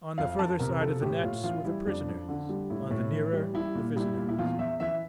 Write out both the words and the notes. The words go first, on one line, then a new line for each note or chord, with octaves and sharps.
On the further side of the nets were the prisoners, on the nearer, the visitors.
F2 F5
F2 A5
C3 A#4
F3 A4
A2 G4
A2 F4
E3 F4
G3 E4
F2 D4
F2
D3
G3
A2 E4
A2
E3
G3
G3 E4
A#2
G3 E4
A#2
E4
E2 F4
E2 E5
E3 E5